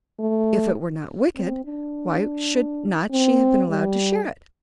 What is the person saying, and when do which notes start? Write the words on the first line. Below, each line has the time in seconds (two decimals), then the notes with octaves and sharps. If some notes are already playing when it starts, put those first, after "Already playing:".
If it were not wicked, why should not she have been allowed to share it?
0.19 A3
1.35 C4
1.65 D4
3.11 C4
3.69 G3